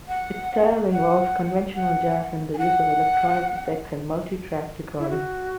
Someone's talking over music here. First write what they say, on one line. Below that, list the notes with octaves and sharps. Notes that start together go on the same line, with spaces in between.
Its style involves conventional jazz and the use of electronic effects and multitrack recording.
F#5
F#5
F#5
G#5
F#5
E4
F#4